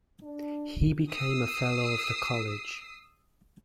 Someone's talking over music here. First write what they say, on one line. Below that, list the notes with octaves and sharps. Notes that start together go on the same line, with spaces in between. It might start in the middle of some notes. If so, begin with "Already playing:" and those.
He became a fellow of the College.
D4
D#6 E6 C7